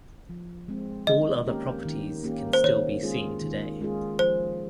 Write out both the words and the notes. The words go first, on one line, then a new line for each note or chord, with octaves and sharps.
All other properties can still be seen today.
F3
G#3 C4
D#3 D#5
A#3 C#4 G4 A#4
D#3
A#3 C#4 G4 A#4
C5
D#3 C#5
G#3 C#4 F4 G#4
D#3
G#3 C#4 F4 G#4
F3 C5